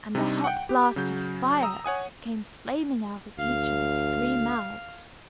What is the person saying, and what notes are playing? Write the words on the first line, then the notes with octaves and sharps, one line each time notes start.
And a hot blast of fire came flaming out of each of its three mouths!
C3 G3 D4 D#4
F#5 G5
G4
C#3 F#3 G6
A#5 D#6 E6
C#5 F#5 G#5 D#6
D2 F5